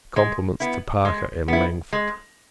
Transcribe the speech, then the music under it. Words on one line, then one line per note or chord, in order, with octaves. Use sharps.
Compliments to Parker and Langford.
G#3
B3 E4
G#3
B3 E4
G#3